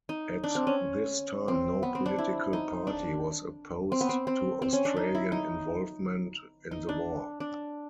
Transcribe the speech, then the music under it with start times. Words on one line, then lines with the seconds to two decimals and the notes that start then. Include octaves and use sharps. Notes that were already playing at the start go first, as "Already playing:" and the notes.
At this time no political party was opposed to Australian involvement in the war.
0.09 D#4
0.44 D4
0.55 C4
0.67 C#4
1.48 C4
1.83 B3
1.95 C4
2.06 D4
2.18 E4
2.53 D#4
2.87 D4
3.92 C4
4.01 B3
4.09 C4
4.27 C4
4.62 C4
4.73 C#4
4.85 D4
4.97 D#4
5.15 E4
5.32 D#4
6.71 D#4
6.89 D4
7.40 D4